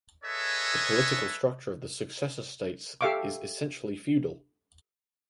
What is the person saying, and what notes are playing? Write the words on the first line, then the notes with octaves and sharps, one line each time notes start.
The political structure of the Successor States is essentially feudal.
G#4 A4 B4 C#5 D#5 E5
G4 A4 E5 F5 C#6 D6